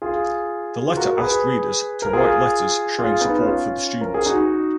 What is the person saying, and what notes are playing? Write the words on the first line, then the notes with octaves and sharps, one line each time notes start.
The letter asked readers to write letters showing support for the students.
F4 G#4
F4 G#4
F#4 A#4
G#4 B4
A#4
F4 G#4
F4 G#4
B3 D#4
C#4 F4
A#4
G#4
D#4 F#4